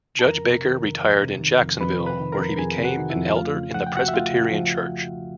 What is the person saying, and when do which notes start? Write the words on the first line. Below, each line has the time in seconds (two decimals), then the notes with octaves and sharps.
Judge Baker retired in Jacksonville, where he became an elder in the Presbyterian church.
0.19 A5
0.25 F2 A#4 A#5
0.45 C3
0.64 D#3
0.84 F2
1.03 F2
1.23 C3
1.41 D#3
1.61 F2
1.81 F2 B4 B5
2.00 C3
2.06 B4 B5
2.20 D#3
2.32 A#4 A#5
2.39 F2
2.58 F2 G#4 G#5
2.77 C3
2.84 F#4 F#5
2.98 D#3
3.10 E4 E5
3.17 F2
3.35 A3 F4 F5
3.55 C#3
3.74 F3 F#5
3.87 G5
3.95 C#2 F#4 F#5
4.08 E5
4.14 A3 F4 F5
4.33 C#3
4.52 F3